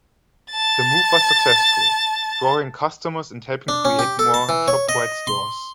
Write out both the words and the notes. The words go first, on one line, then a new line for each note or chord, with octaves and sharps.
The move was successful, drawing customers and helping create more Shoprite stores.
A5 A6
D4
C#4
G4
A4
A5
E3
C#5
D#5
C6